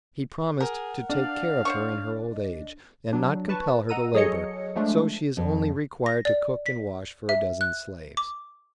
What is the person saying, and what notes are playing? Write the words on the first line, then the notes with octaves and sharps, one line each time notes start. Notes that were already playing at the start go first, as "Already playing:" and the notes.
He promised to take care of her in her old age, and not compel her to labor, so she is only required to cook and wash for a dozen slaves.
G#4 A#4 F#5
D4 F5
C5 C#5 C#6
D#5
F#3 D4
B4 A5 C#6
D#5 F#5 A#5 E6 D#7
F#3 G#4 A4 C#5 D#5 C#7
F3 G#3 A3 D4
F2
A#6
D5
B6
E5
F#6
D6